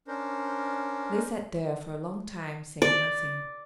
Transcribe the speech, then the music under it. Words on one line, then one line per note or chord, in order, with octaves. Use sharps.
They sat there for a long time, saying nothing.
C#4 D4 A#4 C5
D5